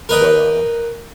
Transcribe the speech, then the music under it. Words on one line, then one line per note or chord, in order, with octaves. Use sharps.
but, um
A#4 B4 D#5 G5